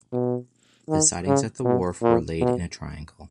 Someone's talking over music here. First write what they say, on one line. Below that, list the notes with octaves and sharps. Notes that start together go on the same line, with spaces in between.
The sidings at the wharf were laid in a triangle.
B2
D#3
C#3
B2
A#2
B2